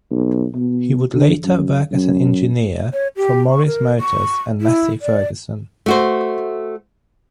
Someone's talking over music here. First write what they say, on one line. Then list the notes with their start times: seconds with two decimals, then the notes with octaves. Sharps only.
He would later work as an engineer for Morris Motors and Massey Ferguson.
0.11 B1
0.55 B2
1.14 D3
1.44 F#2
1.92 F#2
2.93 C#5
3.17 G4
3.50 C#6
3.66 A#4
4.00 C#6
4.61 E4
5.02 D5
5.86 A3 F#4 C5